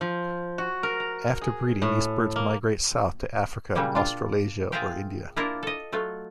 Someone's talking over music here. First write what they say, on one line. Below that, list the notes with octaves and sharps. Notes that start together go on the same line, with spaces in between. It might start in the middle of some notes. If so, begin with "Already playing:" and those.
After breeding these birds migrate south to Africa, Australasia or India.
F3
F#4
A#4
A#5
G#4
A2
A#3
A#2 C#3 F#3 G3 A#3
D4 F4
F4 G#4 A#4 E5 F5 G5
A#3 D4 E4 F4 A#4
A4 D#5
F#3 A3 F4